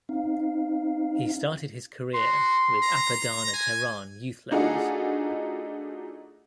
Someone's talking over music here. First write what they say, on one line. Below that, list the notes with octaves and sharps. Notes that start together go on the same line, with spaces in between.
He started his career with Apadana Tehran youth levels.
C4 D#4 F5
F#4 C6
A#5
G#5
A3 D4 D#4 F4 F#4 G#4